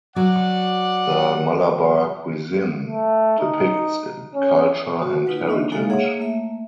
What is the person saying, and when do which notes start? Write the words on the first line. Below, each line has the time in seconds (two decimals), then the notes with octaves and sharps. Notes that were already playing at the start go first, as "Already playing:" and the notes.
The Malabar cuisine depicts it culture and heritage.
0.16 F#3 D5 F#5
2.87 A3
3.39 D#4
4.35 C#4
5.02 F#4
5.26 D#4 F4 B4 F#5
5.47 A#3 D4 D#4 D#5 E5
5.72 G#3 A#3 D#4 E4 A4 F5
5.90 A#3 G#4 C#5 E5 F#5
6.19 A3 A#3 E5